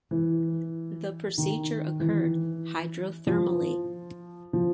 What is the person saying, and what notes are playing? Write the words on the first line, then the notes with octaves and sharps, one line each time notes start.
The procedure occurred hydrothermally.
E3
D#3
E3
F3
F3